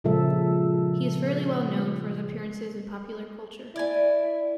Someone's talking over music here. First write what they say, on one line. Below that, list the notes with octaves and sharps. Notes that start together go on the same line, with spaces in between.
He is fairly well known for his appearances in popular culture.
A#2 C#3 F3 G#3 A4 E5
E4 D5 G#5